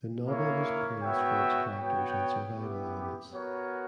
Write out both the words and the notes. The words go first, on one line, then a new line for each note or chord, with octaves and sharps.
The novel was praised for its characters and survival elements.
A#3 E4 A#4 C#5
B3 F#4 C#5 E5 G5
B3 F#4 C#5 G5
B3 E4 G4
B3 F#4 A#4 C#5